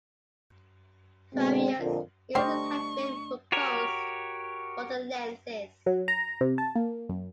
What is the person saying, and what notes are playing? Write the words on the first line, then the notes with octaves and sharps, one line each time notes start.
Various uses have been proposed for the lenses.
B2 D3 G#3 C4
F2 A#2 D3
G3 A3 D4 G4 C5 D#5 C#6
F#4 G4 A#4 C#5
F#3
A#5
C3
A5
A#3
F#2